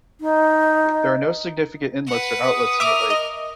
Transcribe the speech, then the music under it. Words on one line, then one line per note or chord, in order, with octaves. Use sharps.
There are no significant inlets or outlets in the lake.
D#4
B4 F#5
D#6
A#4 E5 D6 F6
D#5